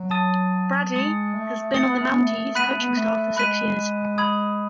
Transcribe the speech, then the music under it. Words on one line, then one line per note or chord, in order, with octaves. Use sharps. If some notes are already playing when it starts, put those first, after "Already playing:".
Brady has been on the Mounties coaching staff for six years.
Already playing: F#3
A5 D#6 A6 D#7
G#3 D#6 A6 C#7
A3
A3 D#6 A6 C#7
B3
A3
B3
A3
B3 B5 F#6 B6 D#7
A3
B3
A3
G#3 B5 F#6 B6 D#7
B5 D#6 G#6